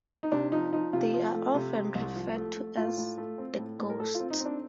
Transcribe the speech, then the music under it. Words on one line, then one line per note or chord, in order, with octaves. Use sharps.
They are often referred to as "the Ghosts".
D#4
C3 D4
F3 D#4
F3 D#4
C3 F4
F3
A3
C3
C3
C2
F3
A3
A3
A2 F4
A2
A3
C4
A2
A2
A#4
A3 A4
F4
C4
D#4
C4 D4